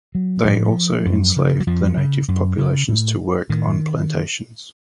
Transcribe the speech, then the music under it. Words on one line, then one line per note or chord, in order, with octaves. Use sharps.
They also enslaved the native populations to work on plantations.
F#3
A2 F3
F#2
C#3
F#3
F2 F3
C#3
F#2
C#3
A2
A2 D#3